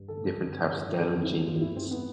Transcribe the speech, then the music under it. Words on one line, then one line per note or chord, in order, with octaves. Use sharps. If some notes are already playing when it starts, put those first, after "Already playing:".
different types of denim jeans.
Already playing: G2
D3 A4
D3
G2
D3
F2
D3
D3 A4
F2
E4
G3
G2 F4
A3 E4
G2 C4
B3